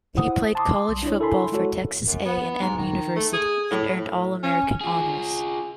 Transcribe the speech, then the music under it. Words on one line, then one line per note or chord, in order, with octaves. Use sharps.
He played college football for Texas A and M University, and earned All-American honors.
E4 C5 F#5 D#6
A5 C6 D6 D#6
B1 G3
D4 E4 C#5
E4 A4 A#4 G#5 B5 C6
G#3 E4 F#4 A4 C#5
F#2
B3
G#2
D#3
A3
G#4
A2
A2
C#4
F4 G#4